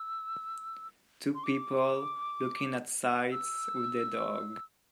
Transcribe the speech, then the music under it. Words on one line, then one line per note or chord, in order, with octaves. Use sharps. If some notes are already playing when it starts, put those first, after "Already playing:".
Two people looking at sights with their dog.
Already playing: E6
C6
D6
E6